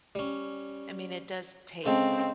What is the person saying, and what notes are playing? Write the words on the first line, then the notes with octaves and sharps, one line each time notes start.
I mean, it does take
G3 C#4
C#3 G#3 C4 A4